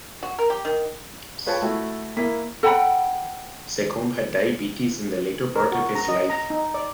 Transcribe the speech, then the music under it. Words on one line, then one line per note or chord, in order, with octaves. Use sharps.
Secombe had diabetes in the latter part of his life.
F#4
A#4
G4
D#3
F4 B4 C#5 G5 A5
A3 E4 F#4
A#3 E4 B6
A4 F#5 G5 B5
A#4
F#4
A#5
D#5
A#5
D#4
D5